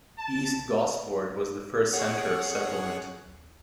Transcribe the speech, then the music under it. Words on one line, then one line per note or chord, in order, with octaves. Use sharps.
East Gosford was the first centre of settlement.
A5
G#4 C#5 F#5